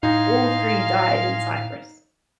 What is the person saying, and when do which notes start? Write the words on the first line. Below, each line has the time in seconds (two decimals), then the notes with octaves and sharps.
All three died in Cyprus.
0.03 A2 D#4 D#5 F5 G#5 C6